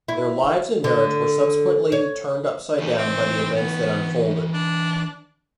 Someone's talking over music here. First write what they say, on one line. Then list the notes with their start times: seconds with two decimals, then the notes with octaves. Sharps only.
Their lives and marriage were subsequently turned upside down by the events that unfolded.
0.08 E4
0.84 D3
1.92 C#5
2.79 D#2 E3 D#4
2.98 C4
3.56 B3
4.54 D4